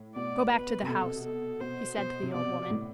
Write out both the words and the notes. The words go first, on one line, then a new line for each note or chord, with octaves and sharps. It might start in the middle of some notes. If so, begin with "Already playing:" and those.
"Go back to the house," he said to the old woman.
Already playing: A2
B2 D5
B4
C3
B2 A4
A4
B2 C5
B2 C5
C3
B2 D5
A2